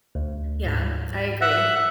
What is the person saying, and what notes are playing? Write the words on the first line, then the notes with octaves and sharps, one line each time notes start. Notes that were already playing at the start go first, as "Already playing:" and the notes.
Yeah, I agree,
D2
G#2
E5 F#5